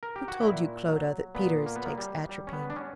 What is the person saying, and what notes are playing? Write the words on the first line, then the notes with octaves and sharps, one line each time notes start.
Who told you, Clodagh, that Peters takes atropine?'
A#4
G4
F#4
A#2 E4
F#3
A#2 B3
A#3
B3
F#3 A#3
G3
G3
C#4
B3
D4
C#4